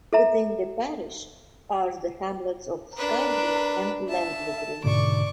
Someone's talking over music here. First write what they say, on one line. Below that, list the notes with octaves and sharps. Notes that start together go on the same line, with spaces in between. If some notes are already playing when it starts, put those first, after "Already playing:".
Within the parish are the hamlets of Skye Green and Langley Green.
A4 E5 A#5
D4 A#4 B4
E5 A5
G#2 B2 D3 D5 C#6 D6